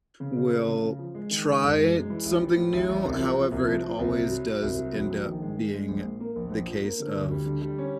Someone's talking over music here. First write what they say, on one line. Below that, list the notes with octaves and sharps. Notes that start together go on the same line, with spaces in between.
will try something new; however, it always does end up being the case of,
C#3
C#3
A3
C#3
C#3
F3
G#3
D#3
G#3
F#2
G#3
G#3
E3
A1
E3
A2
A1
A1
C2
F3
F3
C2
F3
F3
C2
F#3
F#3
F#3
C2
F#3
A#1
A#1
D#3
G#3
G#3
G#3
A#1
A#2
A#3
A#1
A#1
F3
A#3
D3
D2
G3
D3
G3
C#4